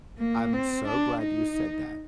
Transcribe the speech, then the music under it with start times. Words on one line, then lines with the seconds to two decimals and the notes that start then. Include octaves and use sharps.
I'm so glad you said that.
0.19 A#3
0.53 C4
0.87 D4
1.22 D#4